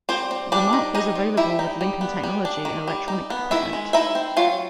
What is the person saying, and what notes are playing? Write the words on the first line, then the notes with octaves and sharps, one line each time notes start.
The Mark was available with Lincoln technology and electronic equipment.
G3 C4 C5
C4
G3 D4 D5
D#4
G3 D#4 D#5
C4
G3 E4 E5
D#4
G3
B3
G3
D4
D#3
G3
D#4
B3
D#3 E4 E5
G#3
D#4 E4 E5
C4
F#3 F4 F5